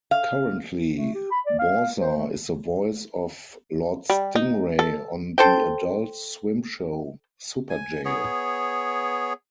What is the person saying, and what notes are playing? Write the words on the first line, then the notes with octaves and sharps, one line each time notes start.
Currently, Bauza is the voice of Lord Stingray on the Adult Swim show, Superjail!
F5
A3
G4
B5
D5
F5
C5
A3
G3
D#4
A4
A4 C5 G5
G#5
B3 G#4 C#5